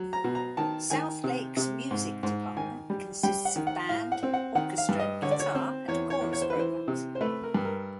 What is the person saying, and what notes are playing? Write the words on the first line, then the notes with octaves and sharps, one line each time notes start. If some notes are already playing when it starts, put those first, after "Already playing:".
South Lakes' music department consists of band, orchestra, guitar and chorus programs.
Already playing: F#3
A#5
B2
A#5
D#3 A5
D#3 G#5
C3
C3
G#2
G#2
D#3 G#5
G3
G3 G5
F#5
D#3
F#5
A2 F5
F#5
C4
F#5
D#3 F#5
F5
G2
D#5
D3 C#5
D5
C#5
C4 C5
E2 C#5
C#5
E2
C#5
C5
B4
E3 C5
C3
C5
A3 B4
A#4
G2
A#4